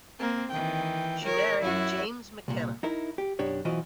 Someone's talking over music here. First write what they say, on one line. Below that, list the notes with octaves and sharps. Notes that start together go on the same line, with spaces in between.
She married James McKenna.
A#3 C4
D#3 E3 G5
A#4 C#5
F#2 E4 F#4
C2 A#2
D#4 E4 A#4
G4
B1 F#2 D4 G4 C#5
B1 E3 F4 F#4 C5 D#5